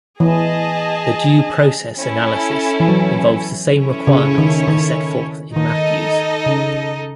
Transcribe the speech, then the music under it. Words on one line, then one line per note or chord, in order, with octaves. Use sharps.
The due process analysis involves the same requirements as set forth in Matthews.
E3 G#4 D#5 A5
C#4 E4 A4
E3
F#3
C#4 E4 A4 C#5
C#3
D#3
D#3
D#3 D#4 A4 D#5
C#3